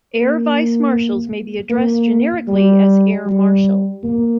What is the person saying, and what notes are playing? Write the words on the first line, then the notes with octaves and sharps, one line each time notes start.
Air vice-marshals may be addressed generically as "air marshal".
A#3
A#3
G3
G3
A#3